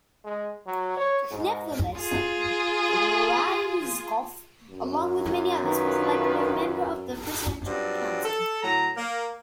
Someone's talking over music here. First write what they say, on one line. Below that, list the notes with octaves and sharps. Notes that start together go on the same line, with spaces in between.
Nevertheless, Ryzhkov, along with many others, was elected a member of the Presidential Council.
G#3
F#3
C#5
G#2
F4 G#4
F#2
D#3 F4 B4
G2 F#3 C4 F4 D5
A4
A2 F#3 A#5
A#3